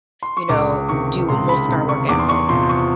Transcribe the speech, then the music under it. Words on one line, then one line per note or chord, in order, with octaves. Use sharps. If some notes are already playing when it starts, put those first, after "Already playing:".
you know, do most of our work at home.
C6
C#6
C#2 D6
C3 D#3 C#6
C#2 C6
B5
C3 D#3
C#6
E2 D6
C6
C#6
C3 F3 C6
C#6